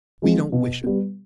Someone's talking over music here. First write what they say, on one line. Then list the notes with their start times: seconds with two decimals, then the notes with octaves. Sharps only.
We don't wish it.
0.22 F3 G#3 C4
0.52 B2
0.83 G3 B3